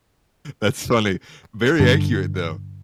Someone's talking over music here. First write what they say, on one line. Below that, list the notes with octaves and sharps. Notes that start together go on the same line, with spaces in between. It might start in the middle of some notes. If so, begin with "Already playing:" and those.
That's funny. Very accurate, though.
G2 D3